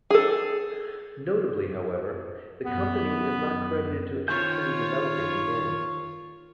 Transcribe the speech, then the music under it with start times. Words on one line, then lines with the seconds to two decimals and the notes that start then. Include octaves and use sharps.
Notably however, the company is not credited to actually developing the game.
0.10 G#4 A4
2.66 F#2 B3
4.28 D#3 F4 C5 C#5 G6